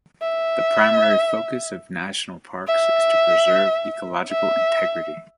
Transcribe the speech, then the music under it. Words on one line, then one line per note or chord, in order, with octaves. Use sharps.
The primary focus of national parks is to preserve ecological integrity.
E5
E5
E5